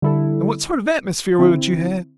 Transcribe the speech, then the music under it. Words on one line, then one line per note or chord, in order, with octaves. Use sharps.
And what sort of atmosphere would you have?
D3 G3 E4 A4
D3 C4 E4